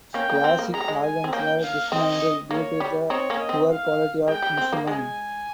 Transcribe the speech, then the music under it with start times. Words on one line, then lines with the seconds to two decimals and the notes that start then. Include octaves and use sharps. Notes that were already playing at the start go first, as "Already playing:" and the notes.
Classic organs were dismantled due to the poor quality of the instrument.
0.14 A#3 C#4 G5
0.29 A#3 C#4
0.44 C4
0.59 A#3
0.74 G#3 A#5
0.81 G3
0.88 G#3
1.03 G#5
1.24 C4
1.33 A#3 C#4 G5
1.62 F5
1.91 C4 D#5
2.50 A#3 C#5
2.80 G3
3.10 C4 D#4 C#5
3.30 A#3 C#4
3.39 D#5
3.49 C4
3.69 F5
4.28 G#3 G5
4.42 G3
4.57 C4
4.72 A#3
4.87 G#3 G#5